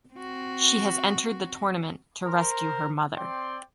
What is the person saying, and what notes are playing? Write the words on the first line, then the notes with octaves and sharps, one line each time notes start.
She has entered the tournament to rescue her mother.
C4 F#4
A#4 C5
C4 D5 G5 C6